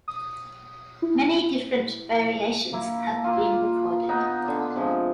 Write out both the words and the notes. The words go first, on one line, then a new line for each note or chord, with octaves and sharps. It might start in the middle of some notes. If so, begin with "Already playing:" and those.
Many different variations have been recorded.
D#6
E4
A#3 E4
A#3 F4
B3 D#4
D3 D5
C3 F3 G#3